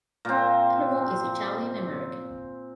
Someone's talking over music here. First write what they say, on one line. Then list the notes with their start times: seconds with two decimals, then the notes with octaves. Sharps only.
Adamo is Italian American.
0.25 A#2 C4